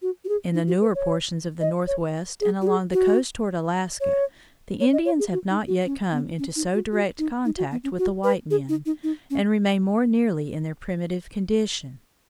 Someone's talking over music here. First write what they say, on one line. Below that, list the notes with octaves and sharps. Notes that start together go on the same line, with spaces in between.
In the newer portions of the Northwest and along the coast toward Alaska the Indians have not yet come into so direct contact with the white men, and remain more nearly in their primitive condition.
F#4
F#4
G#4
D#4
F#4
B4
C#5
D#5
C#5
G#4
F#4
G#4
F#4
C#5
C#5
D#5
C#5
G#4
F#4
D#4
F#4
C#4
B3
C#4
D#4
F#4
F#4
D#4
D#4
F#4
B3
C#4
F#4
B4
G#4
D#4
D#4
D#4
C#4